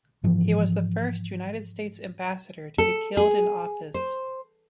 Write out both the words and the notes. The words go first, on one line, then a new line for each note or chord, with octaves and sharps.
He was the first United States Ambassador to be killed in office.
G#2 E3 F3
A4
G#4
C5